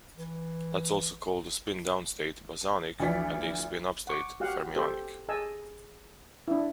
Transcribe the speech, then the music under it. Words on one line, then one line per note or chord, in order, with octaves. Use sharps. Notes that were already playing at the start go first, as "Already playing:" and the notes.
Let's also call the spin down state "bosonic" and the spin up state "fermionic".
E3
D2 E3 F3 D5 B6
F#5 C#6 D6
F#4 G4 F5 F#5
G4 A4 C5
G#4 D#5 G#5 A5 E6
D4 E4